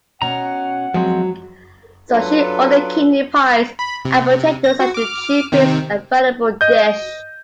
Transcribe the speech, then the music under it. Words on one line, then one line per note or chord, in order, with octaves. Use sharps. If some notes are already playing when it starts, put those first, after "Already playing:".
So she ordered kidney-pies and potatoes as the cheapest available dish.
B2 C#4 F#5 A#5
F3 F#3 G#3 C4
F#3 D4 F4 A4 B4
B5
C3
A#6
F#4
D6 F6
C3 D#3 C4
D#5 G6